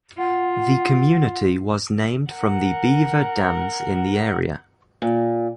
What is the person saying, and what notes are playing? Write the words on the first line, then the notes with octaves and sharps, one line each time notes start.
The community was named from the beaver dams in the area.
F4 F#5
A#4 F#5
A#2